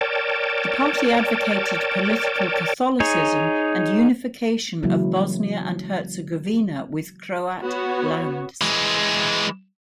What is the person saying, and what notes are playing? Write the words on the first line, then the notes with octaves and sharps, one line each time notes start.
The party advocated political Catholicism and unification of Bosnia and Herzegovina with Croat lands.
A#4 C#5 D5 G5 A5
D#4 G#4 C#5
C#3 E3 F#3 G#3 A#3 E4
B3 F#4 C#5
E3 G#3